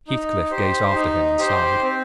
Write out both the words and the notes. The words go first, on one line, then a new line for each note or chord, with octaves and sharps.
Heathcliff gazed after him, and sighed.
D#4
G4 C5
D#4
G4 C5
C4